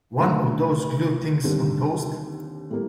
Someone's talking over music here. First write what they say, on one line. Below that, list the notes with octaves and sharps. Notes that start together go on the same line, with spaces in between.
One of those glue things on toast?
D#2 D3 A3 D4 F4
D#2 D3 G3 C4
A2 G3 A#3